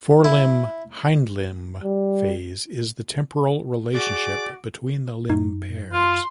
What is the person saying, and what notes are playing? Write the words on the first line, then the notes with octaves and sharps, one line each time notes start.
Forelimb-hindlimb phase is the temporal relationship between the limb pairs.
E4
G3
F#4 G#4 D5 D6
F#2 D#4
F4 C6